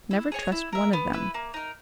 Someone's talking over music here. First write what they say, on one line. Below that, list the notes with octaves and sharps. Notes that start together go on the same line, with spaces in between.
Never trust one of them.
E4
G#4 C#5 G#5
E4
A#4 E5
B3
E4 B4
A#3
D#4 A#4